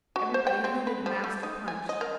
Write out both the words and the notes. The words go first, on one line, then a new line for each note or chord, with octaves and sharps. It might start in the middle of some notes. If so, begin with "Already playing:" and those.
Everybody hooted Master Punch.
F#4
C5
G5
C4
B4
F3
A3
D#4
G#5
D#5
A#4